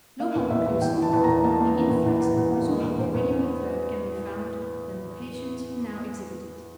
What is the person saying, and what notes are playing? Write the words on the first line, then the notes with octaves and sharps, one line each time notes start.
No more conclusive proof of the inflexible resolve of William III can be found than the patience he now exhibited.
A#3 F5
E2
E2 E5
E2
E3 G5
E3 A5
E2
E2 A#5
A#3 A5
A#3
E3
E2
E2
E2
E2
A#3
D3
E2
E2 C5
E2 C5